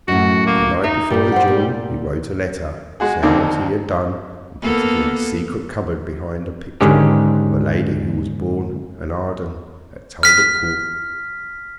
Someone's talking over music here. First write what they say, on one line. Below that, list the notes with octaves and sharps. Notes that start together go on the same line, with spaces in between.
But the night before the duel he wrote a letter saying what he had done and put it in a secret cupboard behind a picture of a lady who was born an Arden, at Talbot Court.
F#2 A2 F#4
A#3
D#4 E5
E2 G2 G3
C5 F#5
A#2
G#3 F#4 G#4
D#2 D3 D#3 G3 A#3 C4
A#3 B3 A4
G#2 D3 D#3 C#4 G4
F6 B6